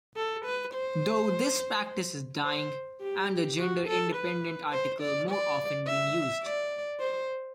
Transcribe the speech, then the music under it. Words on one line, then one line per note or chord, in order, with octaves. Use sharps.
Though this practice is dying, and the gender-independent article more often being used.
A4
B4
C5
C5
G4
F#4
A4
B4
C5
D5
D5
E5
D5
C5